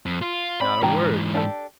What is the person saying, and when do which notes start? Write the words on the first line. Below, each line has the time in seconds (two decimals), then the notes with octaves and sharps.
"Not a word."
0.06 F2
0.22 F4
0.61 C4 D5 B5
0.82 G#2 E3 D4 G5 A#5
1.34 D4 G4 A4